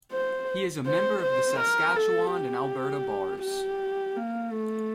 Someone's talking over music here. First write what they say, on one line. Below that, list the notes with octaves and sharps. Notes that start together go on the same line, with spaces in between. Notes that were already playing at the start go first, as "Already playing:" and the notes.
He is a member of the Saskatchewan and Alberta Bars.
C5
C5
C5
A#4
A4
G4
G4
A#3
A3